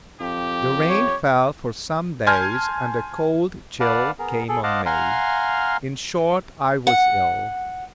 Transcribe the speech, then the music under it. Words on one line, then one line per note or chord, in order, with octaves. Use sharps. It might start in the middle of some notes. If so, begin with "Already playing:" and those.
The rain fell for some days and a cold chill came on me; in short I was ill.
F2 G4
C#5
G#5 A5 C6 F6 G6 G#6
B4 D5 F5 F#5 A5
B3 G#4 A#4
G#4 A4
C5 D#5 F5 F#5 A5 D6
F5 F#5 G#5 A#5 C6 F6
F#5